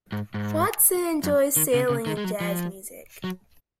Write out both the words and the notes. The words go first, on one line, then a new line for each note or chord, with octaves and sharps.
Watson enjoys sailing and jazz music.
G#2
G#2
F#2
D#3
C#3
C#3
D#3
G#3
F#3
F3
F#3